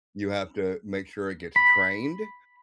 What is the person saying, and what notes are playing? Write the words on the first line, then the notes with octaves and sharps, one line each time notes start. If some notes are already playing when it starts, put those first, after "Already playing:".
you have to make sure it gets trained,
B5